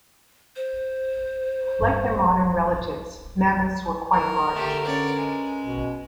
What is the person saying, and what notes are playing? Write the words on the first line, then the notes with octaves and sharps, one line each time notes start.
Like their modern relatives, mammoths were quite large.
C5
D1 G2
D#3 A#4
D3 A3 G4
C#4 B4 C#5 D5
G#3
B2